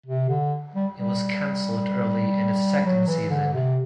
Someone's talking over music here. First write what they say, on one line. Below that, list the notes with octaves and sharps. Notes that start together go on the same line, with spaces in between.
It was cancelled early in its second season.
C3
D3
G3
G3
F#3
E3
D3
C3